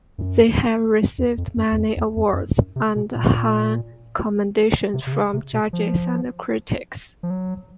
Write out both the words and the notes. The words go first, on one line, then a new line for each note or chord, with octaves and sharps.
They have received many awards, and high commendations from judges and critics.
F#2
E2
F2
F#2
E2
F2
E2
F2
F2
F#2
F#2
C3
B2
A#2
A2
A#2
C3
C3
C#3
C3
B2
F3
F3
F#3